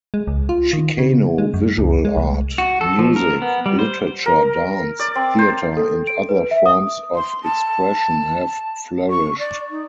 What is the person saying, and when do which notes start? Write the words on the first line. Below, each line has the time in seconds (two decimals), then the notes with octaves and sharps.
Chicano visual art, music, literature, dance, theater and other forms of expression have flourished.
0.14 G#3
0.27 C#2
0.49 F4
0.73 D#3
0.98 C#3
1.38 G#3
1.54 F#2
1.78 C#2
2.05 G#3
2.17 C2
2.58 F#4
2.81 A4
2.99 F3
3.16 A#4
3.42 B3
3.66 G3
3.79 C5
4.26 A#4
4.99 D5
5.15 C4
5.39 C5
5.77 A4
6.07 D7
6.29 B4
6.51 E5
6.66 D#6
7.15 C6
7.44 A5
9.10 C#6
9.39 D5
9.70 D#4